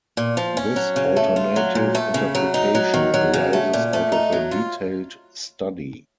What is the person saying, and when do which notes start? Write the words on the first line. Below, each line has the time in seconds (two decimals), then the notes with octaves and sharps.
This alternative interpretation arises out of a detailed study.
0.17 A#2
0.37 F3
0.57 C#4
0.76 F#3
0.96 C#3
1.16 A3
1.36 F4
1.56 F#3
1.75 A#2
1.95 A3
2.14 C#3
2.35 F#3
2.54 D#4
2.75 F#3
2.94 D#3
3.14 F#3
3.34 C#3
3.53 A3
3.73 A#2
3.93 A3
4.12 D#4
4.32 F#3
4.51 F4